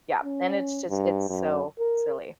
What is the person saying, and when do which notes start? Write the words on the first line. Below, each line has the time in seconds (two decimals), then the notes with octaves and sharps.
Yeah, and it's just it's so silly.
0.24 C#4
0.89 G2
1.30 F#2
1.79 A#4